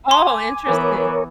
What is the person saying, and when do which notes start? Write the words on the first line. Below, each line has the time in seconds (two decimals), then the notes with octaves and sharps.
Oh! Interesting.
0.11 G#5 C6 D6
0.67 E3 B3 A#4 C#5